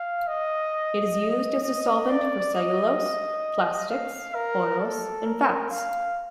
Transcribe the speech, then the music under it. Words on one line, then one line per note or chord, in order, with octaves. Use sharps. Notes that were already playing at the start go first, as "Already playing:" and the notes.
It is used as a solvent for cellulose, plastics, oil and fats.
Already playing: F5
D#5
D#5
D5
D#5
F5
A#4
A4
A#4
F5